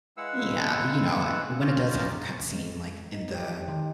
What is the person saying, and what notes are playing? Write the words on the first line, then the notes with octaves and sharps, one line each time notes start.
Yeah, you know, when it does have a cut scene, like, in the
G#3 E4 B4 F5 F#5 E6
C#4 F4 G4 G#4 A#4
G#3
D#4
G4
D#3